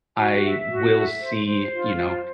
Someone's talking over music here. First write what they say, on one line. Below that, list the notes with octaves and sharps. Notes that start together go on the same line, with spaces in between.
I will see, you know,
F#4
E5
F#4
E5
C5
C5
F4
C5